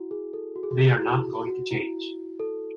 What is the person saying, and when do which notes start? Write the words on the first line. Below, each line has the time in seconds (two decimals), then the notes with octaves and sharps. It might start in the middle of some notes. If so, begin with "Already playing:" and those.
They are not going to change.
Already playing: E4 F#4
0.11 G#4
0.33 A4
0.56 F#4
0.63 G#4
0.71 F#4
0.78 G#4
0.86 F#4
0.98 E4
1.02 F#4
1.47 F#4
1.71 E4
2.40 A4